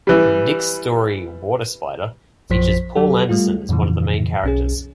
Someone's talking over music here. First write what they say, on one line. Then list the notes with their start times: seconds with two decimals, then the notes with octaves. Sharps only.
Dick's story "Waterspider" features Poul Anderson as one of the main characters.
0.07 E3 G3
2.50 A#1 F#2 F3 C5 B6
2.95 F#3 G4 A4
3.29 G3 A3 F4
3.69 F2 A#2 C#3 E3
4.43 B1 C#4 G#4